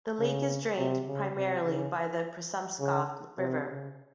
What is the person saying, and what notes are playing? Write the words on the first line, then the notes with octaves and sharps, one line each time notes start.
The lake is drained primarily by the Presumpscot River.
C#3
C3
C#3
C3
C#3
C#3
C3
C#3